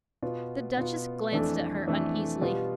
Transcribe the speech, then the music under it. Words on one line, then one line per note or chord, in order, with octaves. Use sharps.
The Duchess glanced at her uneasily.
B2 B3 F4
B2 B3 F4
F2 E3 A3 D4 A4
F2 E3 A3 D4 A4
B2 G3 B3 F4